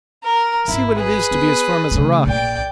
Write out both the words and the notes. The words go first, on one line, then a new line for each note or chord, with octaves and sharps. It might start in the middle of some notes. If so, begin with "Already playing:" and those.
You see what it is to be as firm as a rock!
A#4
G#1 E4
G#4 B4
B3
C#3 A3
A#1 D5 G5